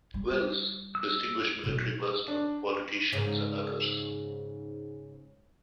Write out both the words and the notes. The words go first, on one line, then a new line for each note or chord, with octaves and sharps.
Wells, distinguished military personnel, politicians, and others.
G3
E6
B2 F#3
D4
G#2 C#3